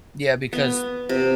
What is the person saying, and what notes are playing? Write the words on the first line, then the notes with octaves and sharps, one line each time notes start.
Yeah, because,
B3
C3